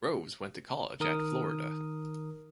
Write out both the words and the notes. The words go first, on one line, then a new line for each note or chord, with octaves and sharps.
Groves went to college at Florida.
D#3 A#4 D#6